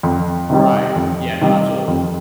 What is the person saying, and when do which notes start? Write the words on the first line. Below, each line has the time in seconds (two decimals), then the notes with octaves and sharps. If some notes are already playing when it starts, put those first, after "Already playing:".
Right, yeah, no, absolutely.
0.03 F2
0.50 C3 D#3 G3
0.96 F2
1.41 C3 D#3 G3
1.88 F2